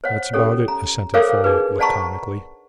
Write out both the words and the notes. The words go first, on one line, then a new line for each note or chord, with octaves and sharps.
"That's about it," assented Folliot laconically.
C5 C#5 F#5
C#4 G4 A4 C#5
A#5
A4 A#4 C5 C#5 F5 D6
D4 D#4 G#4 B4
C5 D5 F#5 A5 A#5 C#6